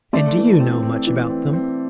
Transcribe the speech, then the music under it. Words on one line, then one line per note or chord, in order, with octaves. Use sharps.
"And do you know much about them?"
A3 D5
E3
C4
C4
E3
C4
C4